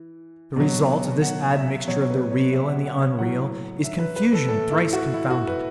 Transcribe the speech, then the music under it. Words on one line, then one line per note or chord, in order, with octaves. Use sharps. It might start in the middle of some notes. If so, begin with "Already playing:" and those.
The result of this admixture of the real and the unreal is confusion thrice confounded.
Already playing: E3
B2 F#3
F#5
E5
B2 F#3 C#5
B4
C#5
E5
F#5
F#5
C#5
A2 F#3 F#5
E5
B4
B4
A4
A2 E3 A4
E4
F#4
E4
F#4
B4